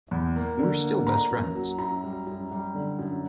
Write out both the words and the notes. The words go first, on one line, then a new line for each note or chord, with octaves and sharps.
We're still best friends.
E2
A#3
D3
A#3
A#3 A#5
F#2
F#3
F#2 A#5
G3
F#2
G3
D3
F#2